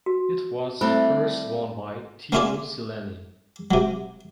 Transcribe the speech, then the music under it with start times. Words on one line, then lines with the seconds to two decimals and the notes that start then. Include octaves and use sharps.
It was first won by Teemu Selanne.
0.06 F#4
0.81 G3 A3 C4 E4 C5 B5
2.32 A#3 C#4 E4 F4 G#4 D5
3.71 C3 F#3